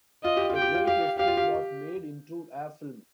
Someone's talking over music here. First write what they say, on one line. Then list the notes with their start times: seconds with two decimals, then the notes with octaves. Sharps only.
"The Great Escape" was made into a film.
0.24 F4 D#5
0.37 G4
0.50 F4
0.56 G5
0.62 G4
0.74 F4
0.87 G4 F5
1.19 G4 F5
1.28 F4
1.37 G4